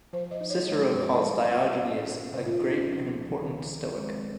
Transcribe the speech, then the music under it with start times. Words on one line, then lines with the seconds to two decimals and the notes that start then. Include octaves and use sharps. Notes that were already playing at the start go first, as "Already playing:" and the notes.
Cicero calls Diogenes "a great and important Stoic".
0.13 F3 C5
0.31 D#5
0.41 D#4
0.50 C#5
0.68 G#3 C#5
0.95 G2
1.23 G3
1.50 F4
1.78 C#4
2.05 A#2
2.32 C#3 C5
2.46 F4
2.60 C#2 D#4
2.74 C#4
2.87 F3 C#4
3.14 C#2
3.41 D#3
3.69 C4
3.97 G#3